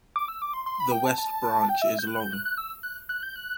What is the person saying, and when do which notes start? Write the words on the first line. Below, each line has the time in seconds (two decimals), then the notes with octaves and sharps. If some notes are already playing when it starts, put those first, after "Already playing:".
The West Branch is long.
0.16 D6
0.28 E6
0.42 D6
0.54 C6
0.66 C6
0.80 B5
0.92 G5
1.05 A5
1.18 A5
1.69 G5
1.82 E5
1.99 G6
2.07 F#6
2.20 G6
2.33 F#6
2.45 F#6
2.58 E6
2.83 F#6
3.09 F#6
3.23 G6
3.36 F#6